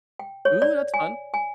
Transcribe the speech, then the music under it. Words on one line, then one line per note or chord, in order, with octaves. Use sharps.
Ooh, that's fun.
G5
C#5
D5
G#5
G#5